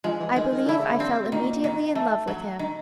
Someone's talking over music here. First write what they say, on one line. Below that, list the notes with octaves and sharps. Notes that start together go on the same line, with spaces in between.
I believe I fell immediately in love with him.
F3 G#3
E3
D#3 G#3
D#3
D3 E4
C#3
D3
C4
B2
A#2 D#3
D#3
A3
F#3
D#3